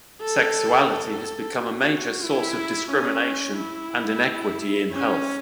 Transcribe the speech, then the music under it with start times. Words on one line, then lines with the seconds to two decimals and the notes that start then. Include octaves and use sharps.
Sexuality has become a major source of discrimination and inequity in health.
0.22 A4
0.89 A4
1.56 F#4
2.23 E4
2.90 C#4
3.57 E4
4.92 C#4